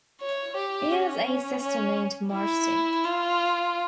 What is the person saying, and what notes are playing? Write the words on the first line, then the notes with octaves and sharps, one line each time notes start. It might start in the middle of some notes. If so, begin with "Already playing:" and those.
He has a sister named Marci.
C#5
G4
C#4
C#4
E4
F4